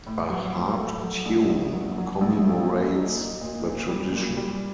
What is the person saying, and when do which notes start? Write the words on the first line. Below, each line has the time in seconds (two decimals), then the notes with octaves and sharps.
A harp tune commemorates the tradition.
0.06 A2
0.30 F#3
0.54 A2
0.78 A3
1.02 F#3
1.25 A#1
1.50 A#1
1.73 F#3
1.98 F#3
2.21 A#1
2.46 A3
2.69 A#1
2.93 D#4
3.17 D#4
3.41 A#2
3.65 A#2
3.89 G3
4.12 A#2
4.37 G3